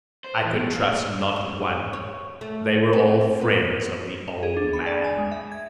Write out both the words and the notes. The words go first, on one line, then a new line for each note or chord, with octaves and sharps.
I could trust not one; they were all friends of the old man.
C5
E3
B2
A#3
G#2
C#5
A3
C4
B4
G#4
D4
B5
D5
G#5
G#3
E5
G#6